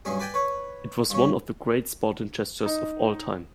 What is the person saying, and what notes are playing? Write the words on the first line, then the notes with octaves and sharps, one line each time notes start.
It was one of the great sporting gestures of all time.
B1 G2 C#4 G#4
B4 D5 G5 G#5
B4 C#5
G2 C#4
D#4